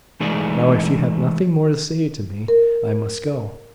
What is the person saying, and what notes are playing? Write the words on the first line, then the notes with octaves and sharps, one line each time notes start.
Now, if you have nothing more to say to me, I must go.
E3 G#3 A3 D#4 G#4 D5
A#4